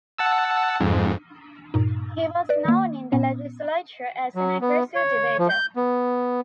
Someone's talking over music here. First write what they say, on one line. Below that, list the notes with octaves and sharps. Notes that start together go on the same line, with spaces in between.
He was known in the legislature as an aggressive debater.
F#5 A5 E6
F2 G#2
G2 A#2 D#4
B4 D5
D#3 A#3
A#2 B3 C#4
F#3
B3
C#5
F3
G6
B3